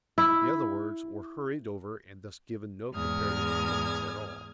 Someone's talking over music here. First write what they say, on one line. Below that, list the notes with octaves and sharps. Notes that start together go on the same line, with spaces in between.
The other words were hurried over and thus given no comparative importance at all.
E4
E2 G#2 D#6 F6 G#6